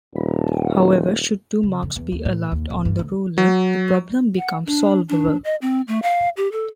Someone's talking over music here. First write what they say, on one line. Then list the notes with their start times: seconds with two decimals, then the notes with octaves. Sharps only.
However, should two marks be allowed on the ruler, the problem becomes solvable.
0.14 D#1
1.63 C#3
1.82 F2
1.96 E2
2.12 D#2
2.25 A2
2.52 D#2
2.70 D1
2.85 G2
2.99 D2
3.38 F#3
4.37 F#5
4.66 D4
5.09 D4
5.44 D#5
5.62 C4
5.88 A3
6.02 F5
6.37 G4
6.52 A4